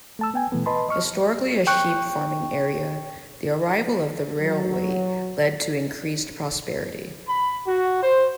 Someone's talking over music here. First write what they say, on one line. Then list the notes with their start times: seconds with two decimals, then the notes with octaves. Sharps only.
Historically a sheep farming area, the arrival of the railway led to increased prosperity.
0.19 A3 A5 E6
0.34 B3 G5 G#5
0.52 B2 E3 A3 B3
0.66 B4 D#5 A5 B5 C6
0.89 D#5 C#6 F6
1.67 G5 C#6 F#6
4.41 F#3
7.26 B5
7.66 F#4
8.01 C5